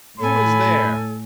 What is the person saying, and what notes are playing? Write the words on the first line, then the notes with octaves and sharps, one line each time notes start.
Who is there?
A2 A4 C#5 G#5 B5